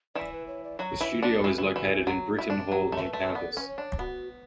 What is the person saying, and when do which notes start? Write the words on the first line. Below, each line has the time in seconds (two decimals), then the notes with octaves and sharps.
The studio is located in Brittain Hall on campus.
0.15 E3 E4 D5
0.32 B4
0.47 C#5
0.64 D5
0.79 F#3 F#4 C#5
1.01 E3 E4
1.11 F#4
1.22 D4
1.44 E3
1.58 E3
1.76 E3
2.07 F#3
2.38 E4
2.50 D4
2.71 F#3 G4
2.92 A3
3.03 B4
3.13 A3
3.35 B3 D5
3.52 A4
3.57 C#4 B4
3.68 C#5
3.78 D4
3.99 B3 F#4